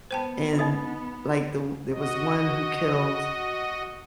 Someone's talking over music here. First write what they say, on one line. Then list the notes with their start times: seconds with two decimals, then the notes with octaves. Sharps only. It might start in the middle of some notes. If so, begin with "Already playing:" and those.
and like, the o there was one who killed
0.11 B3 C5 G5 A5
0.59 D#4 D#5 D#6
1.92 F#4 D#5